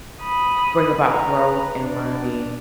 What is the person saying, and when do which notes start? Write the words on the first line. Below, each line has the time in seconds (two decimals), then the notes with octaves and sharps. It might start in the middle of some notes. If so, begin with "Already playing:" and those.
bring about growth and learning.
0.22 B5 D#6
1.05 B4 A#5
1.80 D4